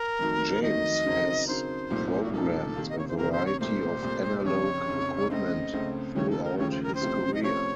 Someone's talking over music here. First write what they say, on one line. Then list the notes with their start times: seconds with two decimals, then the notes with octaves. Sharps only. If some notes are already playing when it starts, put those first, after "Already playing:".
James has programmed a variety of analogue equipment throughout his career.
Already playing: A#4
0.19 F2 D#3 F#3 A3 D#4
0.62 F2 D#3 F#3 A3 D#4 D#5
1.05 C#3 F#3 C4 D#4 A#4
1.47 C#3 F#3 C4 D#4 A#4 C5
1.90 C2 A#2 F3 A3 D#4
2.23 F#4
2.32 C2 A#2 F3 A3 D#4 A4
2.76 C3 D#3 A#3
2.89 D#5
2.98 C#5
3.08 C5
3.17 C3 D#3 A#3 A#4
3.32 C5
3.46 C#5
3.60 C2 A#2 A3 C5
4.03 C2 A#2 A3
4.45 F1 F2 C#3 C#5
4.87 F1 F2 C#3
5.30 C#2 C#3 A3 C4 D#5
5.73 C#2 C#3 A3 C4
6.15 D#2 C#3 F3 A3 C#5
6.30 A4
6.44 A#4
6.57 D#2 C#3 F3 A3 C#5
6.71 C5
6.83 A#4
6.95 C5
7.01 C#2 C3 F3 A3 C4
7.34 D#5
7.43 C#2 C3 F3 A3 C4 C#5